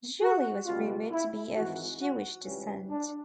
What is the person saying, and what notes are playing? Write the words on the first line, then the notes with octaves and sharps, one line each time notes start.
Julie was rumored to be of Jewish descent.
F#4
C#2 B2 G3 F4
E4
G#1 G#2 E3 F#4
F#4
C#2 C3 E3 G3 C#4
D4